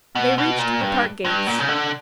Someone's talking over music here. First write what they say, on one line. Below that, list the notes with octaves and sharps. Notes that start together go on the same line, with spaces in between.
They reached the park gates.
B2
B2
A#2
G2
G2
A#2
C#3
D3